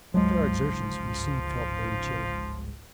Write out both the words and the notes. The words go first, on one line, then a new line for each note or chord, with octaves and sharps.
After our exertions we soon felt very chilly.
G1 C#2 G#2 F3 F#3 G#3